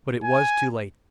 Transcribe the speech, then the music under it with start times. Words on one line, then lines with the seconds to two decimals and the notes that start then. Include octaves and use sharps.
But it was too late.
0.24 G#5